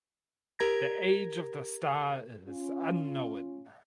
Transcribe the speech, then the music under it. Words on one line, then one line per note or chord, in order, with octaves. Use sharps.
The age of the star is unknown.
G4 A#4 A#5 G#6 A#6
C#4 F4